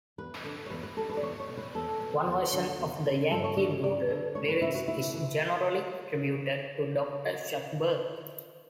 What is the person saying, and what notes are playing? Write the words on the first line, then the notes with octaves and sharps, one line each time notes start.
One version of the Yankee Doodle lyrics is generally attributed to Doctor Shuckburgh.
E2 B4
D3
C#5
E2 B4
B4
D3 A4
B4
D5
E2 C#5
C#5
B2
B4
E2 A4
B2
E2
D3
E2
D3
G2 A4
C#5
D3 D5
C#5
G2 D5
D3
D2 C#5
B4
C#3 E3 E4
F#4
D2 E4
C#3 E3